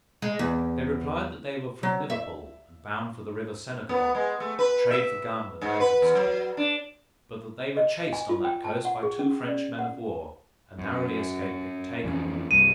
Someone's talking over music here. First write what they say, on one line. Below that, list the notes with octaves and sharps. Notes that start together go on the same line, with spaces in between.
They replied, that they were from Liverpool, and bound for the river Senegal, to trade for gum and elephants teeth; but that they were chased on that coast by two French men-of-war, and narrowly escaped being taken.
G#3
E2
F#3
E5
B3
G#3
A3
B4
E5
G#2
B4
E2
F#3
D4
D#5
G#5
F4
G5
A5
F#5
G#4
C#4
D5
F#5
F#2
F2 E3 C#4
C2 G2 D#7